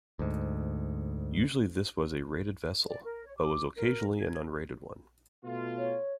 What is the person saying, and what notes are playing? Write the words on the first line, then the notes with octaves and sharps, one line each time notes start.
Usually this was a rated vessel, but was occasionally an unrated one.
D2 G#2
D5
A#4
C#5
D6
A#4
G#6
B2 A3 F4
C#5